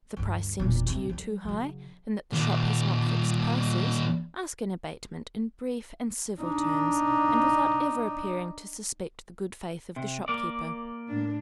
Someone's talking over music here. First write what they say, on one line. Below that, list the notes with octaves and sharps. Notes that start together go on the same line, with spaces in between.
If the price seems to you too high, and that the shop has not fixed prices, ask an abatement in brief and civil terms, and without ever appearing to suspect the good faith of the shopkeeper.
D2 G2
E1 A#2
D2 C3
D3 G3
C#3 F#3
D#2 A#2
D4 D#4
C3
A#3 D5
A2 D4